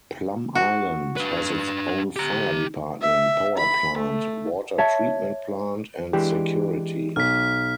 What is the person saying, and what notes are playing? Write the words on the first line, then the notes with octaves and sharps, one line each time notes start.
Plum Island has its own fire department, power plant, water treatment plant and security.
F#4
D4 B4
G4 A#5
E5
B5
A3
C#5 E5 A5
E3 G#3 D4 G4
B1 F6 B6